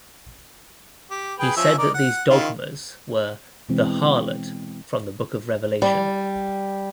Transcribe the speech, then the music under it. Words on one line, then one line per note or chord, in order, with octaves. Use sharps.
He said that these dogmas were "the harlot" from the book of Revelation.
G4
G#4 B4 G5
F3 C#4 E5
D#4 A#4 D5
F#5
D#3 E4 F4
B2 E3 G#3 C4
G3